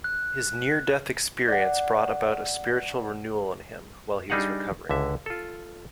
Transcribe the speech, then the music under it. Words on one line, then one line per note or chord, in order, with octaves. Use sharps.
His near-death experience brought about a spiritual renewal in him while he was recovering.
F#6
D5 F#5
G3 D4 D#4 G#4 F5 F#5
C#2 D3 E5
F4 A4